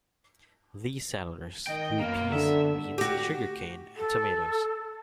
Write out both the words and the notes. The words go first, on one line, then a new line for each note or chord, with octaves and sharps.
These settlers grew peas, beans, sugar cane, and tomatoes.
D#3 D#5 G5
F#2 A#3 B3
D3 E5
F#4 G4
A4